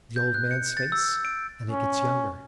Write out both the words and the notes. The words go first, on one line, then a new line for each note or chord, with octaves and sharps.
The old man's face, and it gets younger.
G6
F#6
C#7
A6
E6
D7
C#4